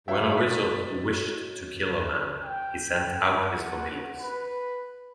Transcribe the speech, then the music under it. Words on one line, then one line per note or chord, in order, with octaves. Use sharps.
When a wizard wished to kill a man, he sent out his familiars.
F#4 C#5 E5 F5 G5
D#5 A6 B6
G5
F#5
B4